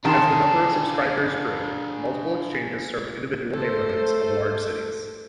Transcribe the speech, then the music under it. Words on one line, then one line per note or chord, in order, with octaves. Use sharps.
As the number of subscribers grew, multiple exchanges served individual neighborhoods of large cities.
D#3 D4 G#4 G5 A5 C6
A3 A4 C5